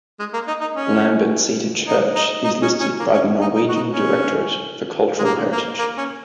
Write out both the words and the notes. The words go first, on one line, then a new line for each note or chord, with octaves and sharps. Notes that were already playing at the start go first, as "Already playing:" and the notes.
Lambertseter Church is listed by the Norwegian Directorate for Cultural Heritage.
G#3
A#3
D#4
D#4
C#4
D#4
D#4
D#4
C#4
C#4
A#3
C#4
D#4
D#4
F#4
D#4
C#4
G#3
A#3
A#3
A#3
C#4